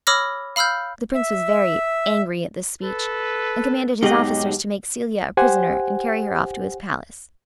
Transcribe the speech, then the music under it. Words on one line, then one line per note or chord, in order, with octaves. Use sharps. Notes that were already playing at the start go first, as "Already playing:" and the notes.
The Prince was very angry at this speech, and commanded his officers to make Celia a prisoner and carry her off to his palace.
C#5 B5 D6 E6 F6 A#6
F5 B5 E6 F6 G6
E5
A4 B4
G#2 B2 F#3 D#4 G4 G#4 D#5
G4 C5 F#5 G#5